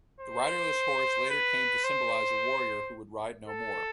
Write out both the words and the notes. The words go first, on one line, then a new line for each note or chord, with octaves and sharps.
The riderless horse later came to symbolize a warrior who would ride no more.
C5
B4
C5
A4